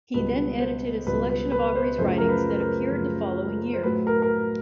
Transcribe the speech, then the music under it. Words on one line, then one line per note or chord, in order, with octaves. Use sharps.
He then edited a selection of Aubrey's writings that appeared the following year.
C#2 B2 G3 B4
C5
C#2 B2 G3 B4
B4
B4
C5
F#2 C#3 F3 A3 C5
A#4
B4
B4
A#4
F#2 C#3 F3 A3
C5
A2 F#3 A3 B4
A#4
A#4